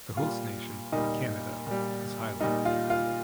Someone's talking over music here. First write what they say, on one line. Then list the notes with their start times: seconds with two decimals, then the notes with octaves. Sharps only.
The host nation, Canada, is highlighted.
0.17 A#2 G3 F4
0.92 A#2 G3 D#4
1.67 A#2 G3
2.41 A#2 G3 D#4
2.65 F4
2.90 F4